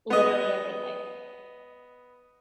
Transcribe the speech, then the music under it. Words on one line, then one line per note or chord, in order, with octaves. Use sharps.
Literally everything.
B3 D#5